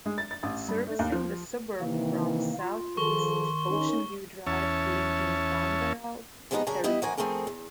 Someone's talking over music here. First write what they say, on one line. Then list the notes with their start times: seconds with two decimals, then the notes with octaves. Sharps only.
Servicing the suburb from the south-east is Ocean View Drive, linking Wamberal to Terrigal.
0.06 G#3
0.18 A6
0.31 A6
0.43 A1
0.69 G2
0.87 A3
0.99 D#2
1.12 F3
1.81 C3 D#3 E3 A#3
2.60 F4
2.97 D#3 F3 G#4 A4 C6 C#6 G7
3.71 C#4 D#4
4.47 E2 C#4 C#5 E5 A5
6.51 C3 F3 G#3 B3 D#4 B4
6.67 F#2 C#3 D4 A#4 G#5
6.84 G3 B3 E4 B4 D#5
7.02 F3 F#4 A#4 G#5
7.17 F3 A3 C4 G#4 A#4
7.47 E2